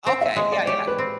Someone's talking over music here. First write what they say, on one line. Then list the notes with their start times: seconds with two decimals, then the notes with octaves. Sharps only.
Okay, yeah, yeah.
0.06 C4
0.21 E5
0.36 G#3 D#5
0.52 D5
0.67 G4 C#5
0.87 B4
0.98 C4